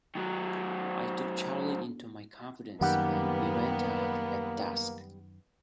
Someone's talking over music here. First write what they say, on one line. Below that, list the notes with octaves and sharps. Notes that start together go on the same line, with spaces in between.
I took Charley into my confidence, and we went out at dusk.
D#3 F#3
F#2 D#3 G3 A#3 B3 G4 F#5